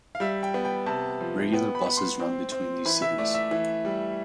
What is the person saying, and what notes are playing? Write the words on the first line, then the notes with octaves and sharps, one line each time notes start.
Regular buses run between these cities.
F5
G3 E5
G5
B3
G5
C3 A5
F3
B3 G5
B5
B3
C6
C4
C4
E3 B5
E5
A3 D5
E5
E3
G3